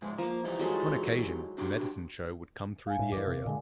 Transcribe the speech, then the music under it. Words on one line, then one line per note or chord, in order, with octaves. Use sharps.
On occasion, a medicine show would come through the area.
G#2 F3 G#3
F3 A#3 A#4
E3 G3 D#4
F#3 G#3 A4
D4 F#4 G4
F5 G#5
A2
F#2 E3 A#4 F5 D6
C3
A#2 D3 G#3 F5 G#5